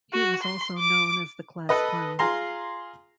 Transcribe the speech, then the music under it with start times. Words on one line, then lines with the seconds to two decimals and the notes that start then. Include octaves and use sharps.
He was also known as the class clown.
0.13 F#4
0.43 C6
0.78 D6
1.69 A4 B4 D#5
2.19 F4 G#4 A#5 C6